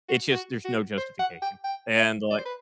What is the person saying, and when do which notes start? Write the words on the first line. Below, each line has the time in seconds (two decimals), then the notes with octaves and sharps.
it's just there's no justification, and like
0.09 F#4
0.32 F#4
0.65 F#4
0.97 C5
1.19 F#5
1.42 G5
1.64 G5
1.97 E5
2.31 D5
2.38 C5
2.45 B4